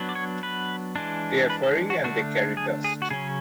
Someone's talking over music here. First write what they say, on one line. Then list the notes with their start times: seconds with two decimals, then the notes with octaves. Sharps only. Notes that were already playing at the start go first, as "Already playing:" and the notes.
They're furry and they carry dust.
Already playing: F#3 B3 D4
0.09 D5
0.15 C#5
0.43 B4
0.96 E3 G#3 D4
1.50 B4
1.63 A4
1.90 F#4
2.04 D3 A3 D4 F#4
2.57 G#4
2.84 G#4
3.02 F#4
3.10 C#3 F#3 C#4 G#4